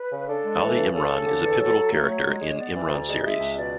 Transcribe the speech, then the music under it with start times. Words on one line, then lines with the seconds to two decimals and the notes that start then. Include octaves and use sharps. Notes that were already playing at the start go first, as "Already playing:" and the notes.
Ali Imran is a pivotal character in Imran Series.
Already playing: B4
0.11 C#3
0.27 D4 A4
0.44 G#3
0.61 E3
0.77 C#3
0.93 C#3 A4
1.10 C#3
1.26 D3
1.43 E2
1.59 F#3
1.75 F#3
1.92 A3 C#5
2.09 F#3
2.25 G#3
2.42 G#3
2.58 B3 D5
2.75 E3
2.91 D2
3.07 G#3
3.23 G#3 E5
3.40 C#2
3.56 B2 D5